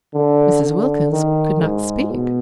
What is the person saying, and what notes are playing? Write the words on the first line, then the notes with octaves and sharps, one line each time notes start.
Mrs. Wilkins could not speak.
D3
D3
D#3
G#2
B2